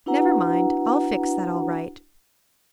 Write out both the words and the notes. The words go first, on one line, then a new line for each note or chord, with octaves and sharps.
Never mind, I'll fix that all right.
D4 E4 F#4 B4 F#5 A#5